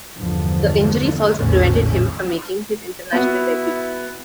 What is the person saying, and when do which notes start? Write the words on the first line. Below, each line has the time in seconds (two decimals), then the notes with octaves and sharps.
The injuries also prevented him from making his international debut.
0.18 G1 E2 D3 F3
1.37 A#1 E2 A2 D3 A3 C#4
3.12 B3 E4 F#4